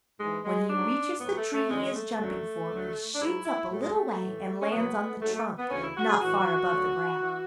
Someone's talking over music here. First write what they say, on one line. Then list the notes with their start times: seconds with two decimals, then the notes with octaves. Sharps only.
When he reaches the tree he is jumping for he shoots up a little way and lands on the trunk not far above the ground.
0.20 G#2 E3 G#3
0.45 G#3
0.69 G#2 F#3 D4
1.21 A2 F#3 B3
1.37 A3
1.54 A3
1.70 E2 D3 F#3 G#3
1.95 A3
2.20 F#2 D3 F#3
2.71 D2 D3 F#3
3.15 D4
3.21 G#2 F#3 E4
3.46 E4
3.71 A2 F#3 A3
3.82 G#3
3.94 A3
4.21 A2 E3
4.61 C#4
4.70 E2 C#3 F#3 B3
5.21 G#2 F#3 A3
5.34 A3
5.58 B3
5.71 D2 C#3 E3 C#4
5.83 E4
5.96 F#4
6.09 G#4
6.21 A2 E3 F#4
6.71 D2 D3 F#3
7.21 E3